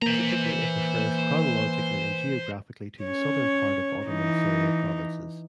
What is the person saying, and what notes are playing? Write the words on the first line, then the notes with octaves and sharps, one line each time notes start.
Typically it refers chronologically and geographically to the southern part of Ottoman Syria provinces.
E3 A#3 C5 A#5
C#4 C#5
E3 D#4